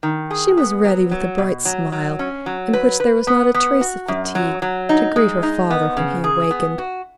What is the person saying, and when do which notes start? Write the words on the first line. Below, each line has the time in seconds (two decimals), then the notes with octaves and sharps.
She was ready with a bright smile, in which there was not a trace of fatigue, to greet her father when he awakened.
0.03 D#3
0.31 G#4
0.57 B3
0.84 F#3
1.11 F#3
1.38 B2
1.65 F#3
1.92 F#3
2.19 C#4
2.46 F#3
2.73 B4
3.00 B4
3.27 B3
3.54 B3
3.81 F#4
4.08 F#2
4.35 F#3
4.62 F#3
4.89 D#4
5.16 G#3
5.43 D#4
5.70 B3
5.97 C#3
6.24 G#4
6.51 B3
6.78 F#4